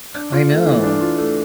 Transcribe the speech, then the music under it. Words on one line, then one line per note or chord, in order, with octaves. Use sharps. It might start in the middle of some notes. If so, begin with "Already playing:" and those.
I know.
D4
F4
A3
E3
D4
F4
A3